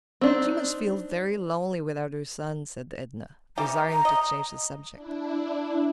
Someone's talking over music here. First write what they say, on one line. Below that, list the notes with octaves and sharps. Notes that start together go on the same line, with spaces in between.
"She must feel very lonely without her son," said Edna, desiring to change the subject.
C4 D4 D#4
E3 G3 G4 A#5
A#5
D#5
D4 E4